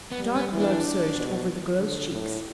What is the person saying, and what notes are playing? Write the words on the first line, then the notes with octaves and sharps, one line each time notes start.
The dark blood surged over the girl's cheeks.
B3
G3
B3
E3
D4
B2
D3
A2